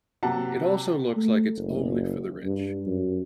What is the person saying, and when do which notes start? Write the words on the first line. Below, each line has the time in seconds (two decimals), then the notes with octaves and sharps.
it also looks like it's only for the rich.
0.23 C3 F#3 A#3 F#5 A5
1.16 A3
1.57 F#1
2.44 G2
2.87 F#2